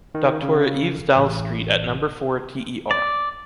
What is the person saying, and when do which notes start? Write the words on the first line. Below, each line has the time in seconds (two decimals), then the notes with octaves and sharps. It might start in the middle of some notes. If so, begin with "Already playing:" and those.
Docteur Yves Dalle Street at number four TER.
0.15 D#3
0.43 C#3
1.16 A1
2.91 D5